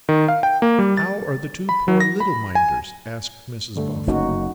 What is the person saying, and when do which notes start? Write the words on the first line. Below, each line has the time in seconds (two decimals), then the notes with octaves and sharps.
'How are the two poor little Minders?' asked Mrs Boffin.
0.09 D#3
0.28 F5
0.43 G5
0.62 A#3
0.79 G3
0.97 A6
1.69 B5
1.88 F#3
2.00 A#6
2.20 B5
2.55 G#5
3.76 G2 D3 A3
4.07 F#1 A#3 C#4 D#4 F#4